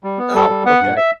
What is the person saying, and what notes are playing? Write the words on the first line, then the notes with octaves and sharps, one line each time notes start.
Oh, okay.
G3
B3
G3 A4
G3
B3 F#5
G2
E5